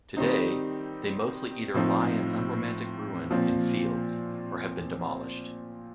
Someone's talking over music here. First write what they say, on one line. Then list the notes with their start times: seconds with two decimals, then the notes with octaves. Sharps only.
Today, they mostly either lie in unromantic ruin in fields, or have been demolished.
0.17 D#3 G3 C4 D#4
1.74 A2 F3 C4 D#4
3.31 A#2 F3 C4